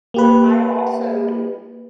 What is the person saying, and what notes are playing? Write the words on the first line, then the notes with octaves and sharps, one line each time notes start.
I also
A#3 G4 B4